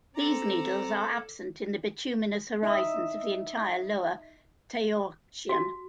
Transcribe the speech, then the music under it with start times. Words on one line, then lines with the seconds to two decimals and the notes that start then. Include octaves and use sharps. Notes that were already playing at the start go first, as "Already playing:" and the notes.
These needles are absent in the bituminous horizons of the entire Lower Toarcian.
0.16 C4 A4 D5 A#5
2.63 D#4 D#5 E5
5.49 F#4